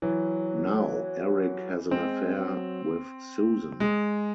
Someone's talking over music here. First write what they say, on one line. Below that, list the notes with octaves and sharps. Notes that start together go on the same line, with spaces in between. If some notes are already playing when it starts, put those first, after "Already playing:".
Now, Erik has an affair with Susan.
E3 F#3
G#3 C4
F#3
G#3